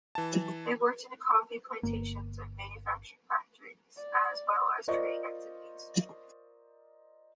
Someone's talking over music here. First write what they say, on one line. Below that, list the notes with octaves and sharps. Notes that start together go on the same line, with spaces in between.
They worked in coffee plantations and in manufacturing factories, as well as trading activities.
E3 A5
G1 A#3
D5
F4 A#4 C5 D5 D#5 C#6